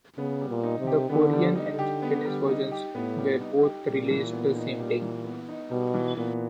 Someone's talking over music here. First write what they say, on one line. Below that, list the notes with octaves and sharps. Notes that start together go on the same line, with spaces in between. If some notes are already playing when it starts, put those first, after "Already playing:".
The Korean and Japanese versions were both released the same day.
C#3 B3
G3
A#2
D#4
C3
G4
D3 B3
G3
D3 D#4
G4
B3
G3
D#4
G4
A2 B3
G3
D#4
G4
A#2 G3
E3
B3
D#4
G3
E3
B3
D#4
B2 G3
E3
A#2 B3